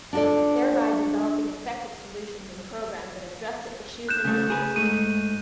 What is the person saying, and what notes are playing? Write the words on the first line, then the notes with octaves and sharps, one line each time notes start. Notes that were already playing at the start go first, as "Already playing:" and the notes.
Thereby developing effective solutions and programs that address the issues and needs.
D4 F4 F#4 A4 D5
F#6 G6 E7
C#3 A3
G#4 A#4 B4
G#2 A3 D#7